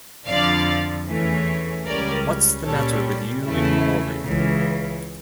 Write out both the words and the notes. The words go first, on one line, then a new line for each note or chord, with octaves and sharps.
What's the matter with you and Maury?
F2 D3 F3 D5 F5
E2 E3 A3 C#4
C#2 C#3 G3 C#4 A#4 D5
A#2 G3 C#4 A4 C#5
E2 C#3 E3 A3 C#4 E4
C#2 C#3 E3